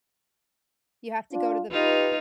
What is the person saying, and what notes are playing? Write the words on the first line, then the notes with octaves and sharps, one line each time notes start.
You have to go to the
D4 F4
D#4 F4 G4 B4